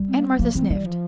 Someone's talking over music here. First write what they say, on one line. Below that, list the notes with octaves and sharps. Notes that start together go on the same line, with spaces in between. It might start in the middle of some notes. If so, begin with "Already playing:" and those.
Aunt Martha sniffed.
Already playing: G3
C4
A#3
C4
F3 A#3
E3 C4
E3 G3
F3